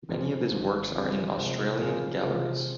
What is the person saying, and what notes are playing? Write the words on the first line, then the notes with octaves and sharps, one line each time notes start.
Many of his works are in Australian galleries.
F2 C#3 F3
G#1 G#2 F3
C#3 G#3 C4 F4
C3 F3 G#3
C#3 F3 A#3 F4 G#4
C3 F3 G#3 C4 F4